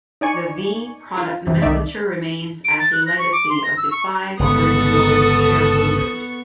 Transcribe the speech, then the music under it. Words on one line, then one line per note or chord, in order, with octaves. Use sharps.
The "V" product nomenclature remains as a legacy of the five original shareholders.
D#4 D5 G#5 C#6
F4
F2 C3 E3
C2 D#3 D#4 D5 E5
D7
A6
F#6
A#6
C#6
D6
C6
A#6
E6
C#6
G1 C#2 C3 B3 A4 A5 C#6 D#6